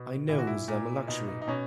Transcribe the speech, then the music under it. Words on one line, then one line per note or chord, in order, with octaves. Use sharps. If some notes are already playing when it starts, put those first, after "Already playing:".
I knows I'm a luxury.
Already playing: B2
A#2 E4
F#4
E4
A#2
B2 D#4
D#4
D#4
B2 C#4